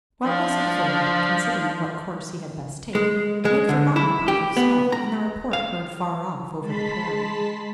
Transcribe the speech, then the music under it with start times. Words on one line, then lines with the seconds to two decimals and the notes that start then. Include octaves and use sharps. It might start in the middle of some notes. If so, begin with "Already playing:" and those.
While thus absorbed, in considering what course he had best take, he had forgotten the puff of smoke, and the report heard far off over the prairie.
0.24 F3 D4
2.95 G#3
3.45 G#3
3.69 D3
3.96 E4
4.28 G4
4.57 B3
4.92 A#5
5.53 F5
6.60 G#3 A5 B5 C6 B6